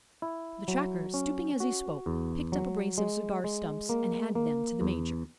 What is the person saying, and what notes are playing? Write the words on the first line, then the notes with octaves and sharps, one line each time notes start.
The tracker, stooping as he spoke, picked up a brace of cigar stumps, and handed them to the major.
E4
F#3
C#4
F#4
E2
F#3
G#3
G#3
A#3
A#3
E2